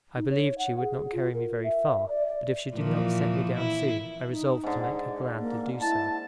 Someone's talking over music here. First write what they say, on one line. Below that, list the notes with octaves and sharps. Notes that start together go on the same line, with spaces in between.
I believed she would not carry me very far; but if she did not set me down soon, I resolved to make her glad to do so.
D#4
C#5
F#5
G#4
F4
A#4
E5
D5
D5
A#2 E3 F3
E4
D#4
G#2 D3
A#3
E4 A5